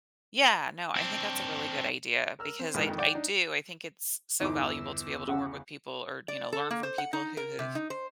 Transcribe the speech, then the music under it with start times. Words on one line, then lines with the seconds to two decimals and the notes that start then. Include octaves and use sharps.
Yeah, no, I think that's a really good idea because I d I do, I think it's so valuable to be able to work with people or, you know, learn from people who have
0.96 C4 D4
2.39 A#4 E6 F6
2.59 C4
2.74 A#1 G#2 E3 E4 B4 D#6
2.87 F2 D#3
2.98 D5 F#5 G5 D6
3.14 D4 D#4
4.40 G1 E2 D#4 D6
4.66 E6
5.27 C#3 F#5
6.28 D5
6.53 A4
6.71 A#3
6.83 C5
6.98 F#5
7.13 D#4
7.37 A#4
7.59 C3
7.75 D#4
7.90 C5